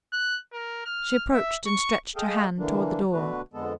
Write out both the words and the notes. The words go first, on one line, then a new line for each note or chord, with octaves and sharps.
She approached, and stretched her hand toward the door.
F#6
A#4
F6
E5
C#6
G#4 A4 D#5 F5 G5
D3 E3 A#3 D4
B2 D3 A3 D4 F#4 B4
F2 D3 G#3 B3 A4